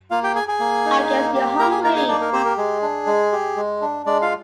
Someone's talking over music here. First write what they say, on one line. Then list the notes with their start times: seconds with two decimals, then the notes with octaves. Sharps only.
I guess you’re hungry.
0.11 A#3 F4 F5
0.23 G4 G5
0.35 G#4 G#5
0.47 G#4 G#5
0.60 A#3
0.86 D#4
1.10 A#3
1.35 G4
1.59 A#3 A#4 A#5
1.71 G#4 G#5
1.84 D#4 A#4 A#5
1.96 G#4 G#5
2.08 A#3 D4 D5
2.21 A#4
2.33 C4 G4 C5
2.45 A#4
2.58 G#3 G#4
2.82 D4
3.07 G#3
3.32 G4
3.57 G#3
3.81 D4
4.06 G#3 D4 D5
4.22 F4 F5